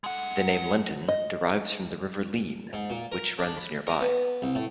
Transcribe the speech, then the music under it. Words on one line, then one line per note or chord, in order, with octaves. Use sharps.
The name "Lenton" derives from the River Leen, which runs nearby.
G#3 F#5
D#5
G#2
A#2
A#4
D4
B5
A#4
B3
C2
A2